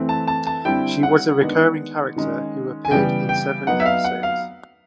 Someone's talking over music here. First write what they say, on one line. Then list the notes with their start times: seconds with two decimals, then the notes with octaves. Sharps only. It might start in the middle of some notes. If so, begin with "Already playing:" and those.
She was a recurring character who appeared in seven episodes.
Already playing: E3 A3 C4
0.09 A5
0.27 A5
0.47 A5
0.65 D3 G3 C4 E4 G5
1.03 F#5
1.41 D#3 G#3 B3 D4
2.16 D#3 G#3 C#4
2.85 G#5
2.91 C#3 E3 G3 B3 G5
3.29 G5
3.67 F#3 B3 D#4 F#5
3.80 E5
3.86 F5
4.04 F#5
4.23 F5